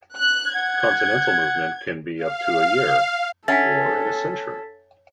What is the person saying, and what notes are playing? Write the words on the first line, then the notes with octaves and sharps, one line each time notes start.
Continental movement can be up to a year, or in a century.
F#6
F#5 G#6
F5
C#4 A4 E5 F#5 G#5 A6 B6